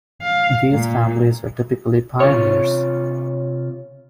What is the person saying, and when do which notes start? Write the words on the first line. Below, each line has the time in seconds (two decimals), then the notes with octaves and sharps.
These families were typically pioneers.
0.22 F5
0.73 A#2
2.20 C3 F4 C#5